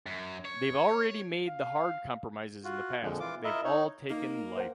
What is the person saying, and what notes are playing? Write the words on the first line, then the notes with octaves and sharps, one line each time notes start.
They've already made the hard compromises in the past; they've all taken life.
F#2
C#5
F5
F4 F#4
F2 A#2 D3 F3 G#3
E3 F4 D6
E4 F4 A#4 D#5 E5
D#4 C#5
A#3 D#4
C5 F#5